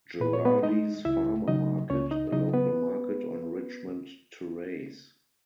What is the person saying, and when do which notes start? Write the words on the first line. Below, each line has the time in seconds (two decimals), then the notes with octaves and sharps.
Gerardi's Farmer Market, a local market on Richmond Terrace.
0.20 A#2 B4
0.33 C#5
0.45 B3 B4
0.63 G#3 D#4 D#5
1.05 C#2 E4 E5
1.48 C#3 F#3 D#4 D#5
1.90 C#2 C#4 C#5
2.11 D#4 D#5
2.32 C#3 F#3 D#4 D#5
2.54 B3 B4